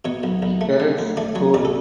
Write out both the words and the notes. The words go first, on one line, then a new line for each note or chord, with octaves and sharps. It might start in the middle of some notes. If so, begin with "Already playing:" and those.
Peretz School.
B2 C#5
B1
B1
A3
D3
D2
A3 D5
F#3 C#5
D3 D5
A4